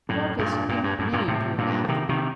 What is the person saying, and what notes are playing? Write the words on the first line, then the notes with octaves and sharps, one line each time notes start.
Dorcas did not deign to look after him.
F#2 A2
G2 A#2
G2 A#2
G2
F#2 A2
G2 A#2
A2 C3
G2 A#2
C3 D#3
C3 D#3